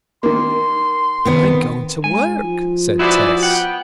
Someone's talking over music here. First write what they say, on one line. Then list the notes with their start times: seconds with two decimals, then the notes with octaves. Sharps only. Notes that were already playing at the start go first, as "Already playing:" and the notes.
"But I am going to work!" said Tess.
0.23 D#3 A#3 C6
1.25 D#3 B3 C4
2.04 G#2 G#5
2.43 F3
2.99 E4 F#4 G#4 B4 C5 D5
3.43 B3 F#5 G5